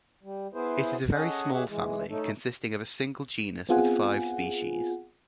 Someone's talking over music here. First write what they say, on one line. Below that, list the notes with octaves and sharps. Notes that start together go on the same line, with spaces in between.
It is a very small family, consisting of a single genus with five species.
G3
B3 E4 G#4 B4 C5
C#4 G#4 A4 C#5 D#5 F#5
G4 G#4 C#5 E5 F#5
E3 G#3
A3 C#4 D#4 A4
B3 C4 F4 G#4 F#5 G#5